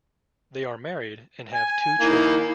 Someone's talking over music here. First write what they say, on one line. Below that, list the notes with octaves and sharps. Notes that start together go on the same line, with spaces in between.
They are married and have two children.
G#5
D#3 A#3 E4